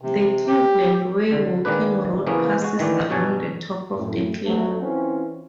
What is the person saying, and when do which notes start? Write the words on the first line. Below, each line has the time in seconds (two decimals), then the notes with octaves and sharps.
The Cleveland Way walking route passes along the top of the cliff.
0.02 C3
0.47 G4
1.31 C2 D3
1.65 D#3 G#3 A#3 D4 B4
2.26 C#3 E3 F3 A#3 B3 C#4
2.62 G#3 F#4
2.79 D#3 E3 A3 D4
3.10 G2 B2 F#3 C#5 G#5 A5
3.95 F#2 A2
4.45 F2 F#3 A3
4.82 E3 C4 C#4 F4